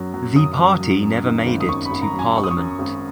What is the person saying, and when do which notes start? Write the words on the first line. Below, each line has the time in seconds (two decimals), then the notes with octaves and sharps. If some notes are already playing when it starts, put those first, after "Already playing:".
The party never made it to parliament.
Already playing: F#2 F#3
0.14 F#3
0.36 F#2 D#6
0.58 F#3
0.80 F#3
1.02 F#2
1.24 D#3
1.46 G#1
1.60 D#6
1.69 F#2 C#6
1.86 B5
1.91 G#1
2.02 A#5
2.13 F#3
2.19 G#5
2.35 F#2 C#6
2.44 D#6
2.51 C#6
2.58 F#2
2.79 G#1